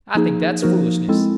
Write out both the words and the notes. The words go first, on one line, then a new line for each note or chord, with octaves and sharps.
I think that's foolishness.
F3 A#3 D#4 G#4
F3 A#3 D#4 F#4 A#4
G#3 C4 E4 A4